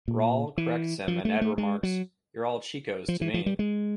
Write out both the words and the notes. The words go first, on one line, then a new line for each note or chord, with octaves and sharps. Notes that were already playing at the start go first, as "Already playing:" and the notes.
Raul corrects him and Ed remarks, You're all Chicos to me.
A#2
E3
F3
A3
A3
G#3
F#3
F3
E3
F3
G3
G#3